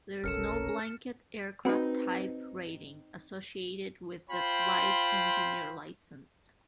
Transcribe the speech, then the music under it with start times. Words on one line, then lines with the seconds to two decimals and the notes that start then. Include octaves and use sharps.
There is no blanket aircraft type rating associated with the flight engineer licence.
0.24 F1 B1 C#4 A4 A#4 F6 C#7 E7
1.65 C4 D#4 F#4 B4
4.30 F4 C5 G5 B5